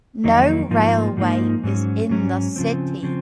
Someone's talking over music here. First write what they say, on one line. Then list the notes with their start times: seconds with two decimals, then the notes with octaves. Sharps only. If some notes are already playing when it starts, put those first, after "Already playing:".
No railway is in the city.
0.24 F2 D#3 F#3 A#3 D#4
0.71 G#2 F3 A#3 D#4
1.17 G#2 F3 A#3 D#4
1.64 G#2 F#3 C#4
2.10 G#2 F#3 C#4
2.56 C#3 F3 C4
3.03 C#3 F3 C4